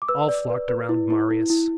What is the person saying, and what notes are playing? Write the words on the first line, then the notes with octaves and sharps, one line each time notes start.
All flocked around Marius.
D6
B4 E6
D5
B4
B4
E4
E4
E4
E4